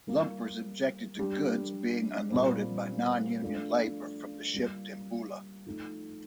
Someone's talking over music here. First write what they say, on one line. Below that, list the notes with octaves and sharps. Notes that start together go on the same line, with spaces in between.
Lumpers objected to goods being unloaded by non-union labour from the ship "Dimboola".
G3 A#3 F4
G3 D4 G4
A#2 G3 C4
F3 A3 D4 F4
G3 A#3 F4
F3 A3 D#4